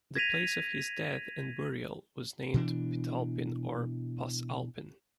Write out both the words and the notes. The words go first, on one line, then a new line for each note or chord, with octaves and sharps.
The place of his death and burial was named Pitalpin or Pas-alpin.
G#6 A#6 B6 D#7 F7
B2 E3 D4